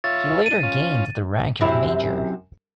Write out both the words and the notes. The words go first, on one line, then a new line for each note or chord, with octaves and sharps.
He later gained the rank of Major.
F4 C#5 E5 A6
D#7
C#4 F4
F#2 C3 E4